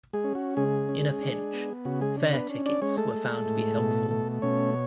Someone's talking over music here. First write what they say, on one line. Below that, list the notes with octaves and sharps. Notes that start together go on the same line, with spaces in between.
In a pinch, "fare tickets" were found to be helpful.
G#3 G#4
C#4
F#4
C#3 G#3 G#4
C#4
D4
B3
C#3 F#4
G#3 G#4
D4
B3 B4
C#4
D4 D5
G#3 C#4 C#5
A3 A4
G#3
A2
B2
A3
B2 C#4 C#5